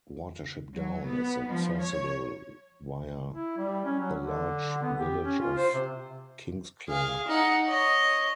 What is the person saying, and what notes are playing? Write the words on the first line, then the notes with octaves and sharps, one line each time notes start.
Watership Down is accessible via the large village of Kingsclere.
F#3
B3
F3
C#5
E4
G3
C#4
F#3
D3
B3
G4
C#4
F4
C5
C3
G#4 F5
D#4 F#5
C#5 D#5